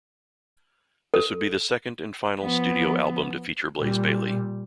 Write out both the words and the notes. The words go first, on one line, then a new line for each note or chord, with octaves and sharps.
This would be the second and final studio album to feature Blaze Bayley.
A4
F3 B3
A#2 G3